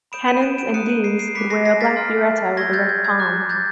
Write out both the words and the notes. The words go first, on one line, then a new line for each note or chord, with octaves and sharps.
Canons and deans could wear a black biretta with a red pom.
B5 D#6 G6 D7 E7
C#7 D#7
D7 E7
D7 E7
A#5 D#6 F#6 C#7 D#7
C#7 D#7
C7 D7
C7 D7
B5 D6 F#6 B6 C#7
A#6 C7
A#6 C7
A6 B6
G#5 C6 F6
C#6 E6 G6 G#6 A#6
G6 A6
G#6
G#6
A#5 D6 F#6
G6 A6